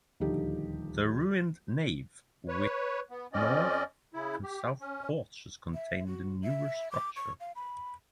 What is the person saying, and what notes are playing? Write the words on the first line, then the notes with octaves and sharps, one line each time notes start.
The ruined nave with north and south porches contains the newer structure.
D#1 D2 F3 D#4 G4
B4 C#5
B3
F2 C4 C#4 D5 D#5
C#3 E4
G4
C#4
E5
F#4
E5
D6
C#6
F5
B5